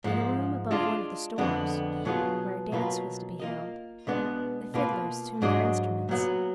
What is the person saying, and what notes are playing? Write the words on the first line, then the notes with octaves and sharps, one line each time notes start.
In a room above one of the stores, where a dance was to be held, the fiddlers tuned their instruments.
G#2 F3 G#3
G#3 D4 F4
F2 D3 G#3 B3
B2 F#3 B3 F4 G#4
B2 F#3 A#3 F4 B4
A#3 F4 A#4 D#5
B2 G#3 B3 D4
B2 A#3 F4 B4
G#2 F#3 D4 G#4 D#5
A#2 F#3 B3